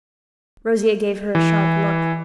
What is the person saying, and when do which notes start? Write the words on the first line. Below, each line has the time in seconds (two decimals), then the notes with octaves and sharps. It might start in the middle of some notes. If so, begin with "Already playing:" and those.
Rosier gave her a sharp look.
1.35 E3